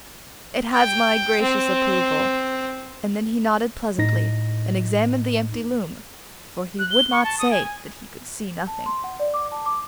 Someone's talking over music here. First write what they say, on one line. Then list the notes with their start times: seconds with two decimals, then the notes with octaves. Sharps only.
'It has my gracious approval.' And then he nodded pleasantly, and examined the empty loom, for he would not say that he could see nothing.
0.73 G5
1.42 C4
3.98 A2 D#4 A#6
6.79 F#6
6.90 G7
7.12 C#6
7.24 A5
7.39 D#6
7.51 G#5
8.67 A5
8.86 C6
9.04 F#5
9.20 D5
9.34 D6
9.52 A5
9.66 D6